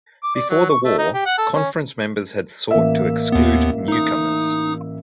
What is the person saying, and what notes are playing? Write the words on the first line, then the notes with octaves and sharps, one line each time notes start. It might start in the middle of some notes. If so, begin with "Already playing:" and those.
Before the war, conference members had sought to exclude newcomers.
D6
D5
F#3
C#6
A3
D#4
G4
F#5
A4
C#4
A1 A#3 E5
D#2 B3
D#4 D#6